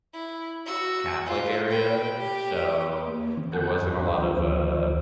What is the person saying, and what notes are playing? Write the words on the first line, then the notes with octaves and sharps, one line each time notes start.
Catholic area, so, there wasn't a lot of, uh,
E4
F#4 E6
F4
B4 G5
G4
A#3
D#3 E3 C4
F#5 G#5 A5 F#6 G6
E2 G#2 F3
G3 C4 D4 E5
D2 D#3 F3 F4 C5